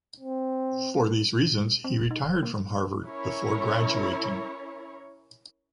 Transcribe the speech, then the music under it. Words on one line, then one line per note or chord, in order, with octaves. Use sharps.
For these reasons, he retired from Harvard before graduating.
C4
C4
E1
D#4
E1
A#3
C#4 E4 A#4 C#5